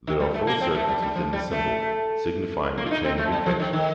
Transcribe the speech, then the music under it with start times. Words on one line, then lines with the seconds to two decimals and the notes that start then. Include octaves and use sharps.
There are four circles within the symbol, signifying the chain of infection.
0.07 D#3
0.20 G3
0.34 A3
0.47 A#3
0.61 C4
0.75 A3
0.89 G3
1.02 G3
1.16 F3
1.33 G3
1.51 A3
2.78 A#3
2.86 F4
2.91 D#4
3.04 C4
3.18 A3
3.32 G3
3.46 F3
3.60 D#3
3.73 D#3